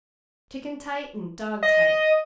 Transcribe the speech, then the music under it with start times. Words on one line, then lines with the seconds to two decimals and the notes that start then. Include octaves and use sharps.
Chicken-tight and dog-tight.
1.63 D#5